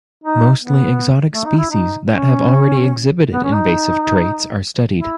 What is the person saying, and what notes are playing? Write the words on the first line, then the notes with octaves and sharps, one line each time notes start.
Mostly exotic species that have already exhibited invasive traits are studied.
D#4
B3
A3
D#4
E4
D#4
C#4
B3
C#4
D#4
E4